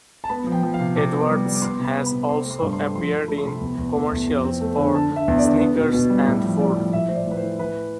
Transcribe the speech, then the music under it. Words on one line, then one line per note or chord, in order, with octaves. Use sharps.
Edwards has also appeared in commercials for Snickers and Ford.
A5
B3 B5
F3
G5
F3
F5
C3
C3 D6
B3
D6
G3
G3
D6
B3 C6
C3
B5
B3
B5
C3
C4 C6
A3
C6
G2
C6
A3
F3 C6
F3
A3 B5
C6
C3 B5
E2
E2
A3
E2
F2
C4
A3
D3
D3 A5
D3
E5
E2
D5
D3
B3
B2
B2
G3
A2
F3
A2 D5
F3
A2 E5
A2 C5
D5
A2
B4
C5
E3
E3 B4